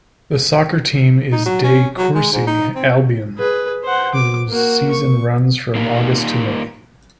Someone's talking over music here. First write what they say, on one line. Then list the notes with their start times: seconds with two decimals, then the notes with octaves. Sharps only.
The soccer team is De Courcey Albion whose season runs from August to May.
1.32 D#4
1.46 F#3
1.63 C#4
1.97 F#3
2.15 G#3
2.33 G#2
2.47 D#4
2.75 C4
3.38 G#4 B4
3.84 C5 F#5
4.14 D6
4.49 A#3 F#4
4.90 C#6
5.75 A#3 D#4 F4 G4 A#4